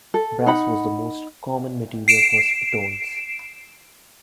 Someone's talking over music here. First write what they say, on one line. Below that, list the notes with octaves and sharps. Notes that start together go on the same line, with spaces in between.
Brass was the most common material for spitoons.
A4
D#4 F#5 B5
C7 D7 E7